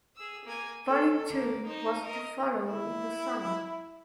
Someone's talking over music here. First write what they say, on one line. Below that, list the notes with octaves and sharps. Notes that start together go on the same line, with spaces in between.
Volume Two was to follow in the summer.
G#4 E6
A#3 G#5
A4
A#3
D#4 C5
A#4 D#5
E4